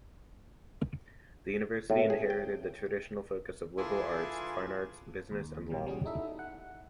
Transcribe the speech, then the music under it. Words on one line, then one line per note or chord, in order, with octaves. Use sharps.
The university inherited the traditional focus of liberal arts, fine arts, business and law.
A2
G#4
G5
E3 D4 E4 F4 G#4 A4
D#2
A#1 B2 E3 G3
G3 C#4 F#4 G#4
D#4 E4 A4 E5
F#5